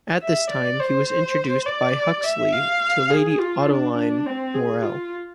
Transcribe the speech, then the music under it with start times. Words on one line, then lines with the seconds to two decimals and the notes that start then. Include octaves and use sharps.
At this time he was introduced by Huxley to Lady Ottoline Morrell.
0.23 E5
0.51 D5
0.80 C5
1.67 D5
2.24 E5
2.53 F5
3.11 G#4
3.39 F4
3.69 D4
3.97 D4
4.27 C4
4.55 G#4
4.83 F4